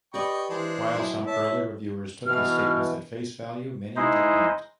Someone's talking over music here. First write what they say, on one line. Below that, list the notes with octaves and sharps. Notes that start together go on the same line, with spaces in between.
While some early reviewers took his statements at face value, many did not.
G4 B4 D5 D#5 G5 B5 C#6
E3 G#3 D4 C5
F#3 E4
C#5 E5 A5
B2 E3 F6
G#3 D#4 E4 C5 D#5